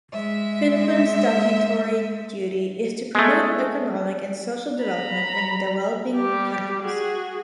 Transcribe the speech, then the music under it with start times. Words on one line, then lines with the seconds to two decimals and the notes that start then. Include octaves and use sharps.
Finnfund’s statutory duty is to promote economic and social development in developing countries.
0.12 G#3 E5
3.15 G#3 A3
4.83 A#5 B5
6.15 G3 G4
6.82 F#4 G#4